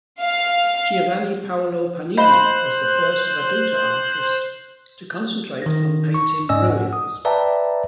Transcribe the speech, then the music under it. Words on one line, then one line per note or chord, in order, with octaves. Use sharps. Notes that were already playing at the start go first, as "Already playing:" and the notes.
Giovanni Paolo Pannini was the first veduta artist to concentrate on painting ruins.
F5
C5 D#5 F5 B5 F#6
D#3 A#6
C#6
G#2 C#4 D5 D#5 G#5 E6
F#5
D#6
B4 D5 E5 G5 A5 A#5